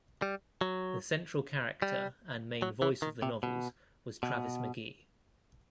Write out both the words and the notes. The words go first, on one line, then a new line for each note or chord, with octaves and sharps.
The central character and main voice of the novels was Travis McGee.
G3
F#3
G3
F#3
E3
D#3
C3
B2
B2